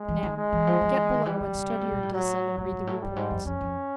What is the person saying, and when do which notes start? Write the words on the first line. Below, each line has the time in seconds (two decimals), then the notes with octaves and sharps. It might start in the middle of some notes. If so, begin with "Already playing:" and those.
Now get below and study your Disan and read the reports.
Already playing: G#3
0.08 E3
0.23 D#3
0.37 G#3
0.53 E3
0.67 F3
0.81 F3
0.96 E3
1.14 D#3
1.25 E3 G3
1.40 D#3
1.55 C#3
1.70 C3
1.81 B2
1.92 A#2
2.03 A2
2.13 F#3
2.58 A2 F#3
2.72 G#2
2.87 A2
3.01 G3
3.07 G2
3.16 G#2
3.31 F2
3.45 F2 C#4
3.61 F2